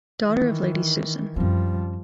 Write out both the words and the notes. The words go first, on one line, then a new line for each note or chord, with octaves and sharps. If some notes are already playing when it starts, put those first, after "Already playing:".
Daughter of Lady Susan.
D#3 E3
F#2 F3 G3 C4